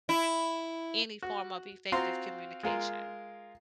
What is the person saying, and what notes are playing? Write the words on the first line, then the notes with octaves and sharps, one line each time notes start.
any form of effective communication.
E4
F#4
C4 F4 F#4 F5 A#5 C6
G#3 F4 A#4